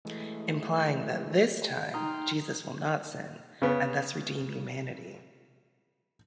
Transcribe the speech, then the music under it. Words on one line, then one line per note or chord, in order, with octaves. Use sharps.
Implying that this time Jesus will not sin, and thus redeem humanity.
E3 G#3 A3
D#4 G5 A#5 C6 D#6 F6
C#3 B3